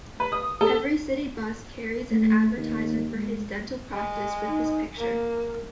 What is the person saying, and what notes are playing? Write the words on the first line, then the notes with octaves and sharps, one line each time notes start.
Every city bus carries an advertisement for his dental practice with his picture.
B4
D#6
A4
A3
D#2
G#3
G#3
D#4
A#3 A#4